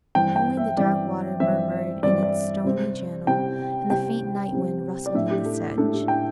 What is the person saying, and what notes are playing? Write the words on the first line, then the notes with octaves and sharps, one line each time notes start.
Only the dark water murmured in its stony channel, and the faint night-wind rustled in the sedge.
G2 E3 C4 G5
G5
E5
G2 E3 C4 D5
G2 E3 C4 E5
G2 E3 C4 D5
D5
C3 G3 C4
C3 G3 C4 G5
C3 G3 C4 G5
C3 G3 C4
D5
A2 A3 D4 E5
G4
A4
A2 A3 D4 A4
G4
G5